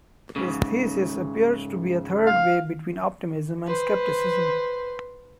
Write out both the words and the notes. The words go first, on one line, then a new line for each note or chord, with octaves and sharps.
His thesis appears to be a third way between optimism and skepticism.
G#2 C#3
F5
B4 C5